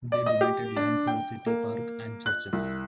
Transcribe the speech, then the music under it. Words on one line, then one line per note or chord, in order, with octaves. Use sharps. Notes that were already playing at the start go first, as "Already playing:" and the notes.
They donated land for a city park and churches.
D5
D#5
G4
D4
G5
A#3
F#6
C2